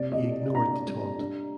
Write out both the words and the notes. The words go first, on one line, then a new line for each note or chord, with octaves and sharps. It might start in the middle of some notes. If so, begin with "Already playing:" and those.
He ignored the taunt.
Already playing: C3 D5
D#5
C3
D4 A#5
G3
D4